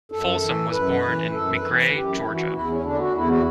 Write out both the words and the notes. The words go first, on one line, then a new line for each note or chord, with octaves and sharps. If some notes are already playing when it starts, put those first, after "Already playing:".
Folsom was born in McRae, Georgia.
F#2 A4
E3
F#2 B4
E3
F#2 A4
B4
E3
B4
F#2 G4
E4
E3
F#4
E2 E4
C#4
D3 D4
E4
F#4
E2 E4
F#4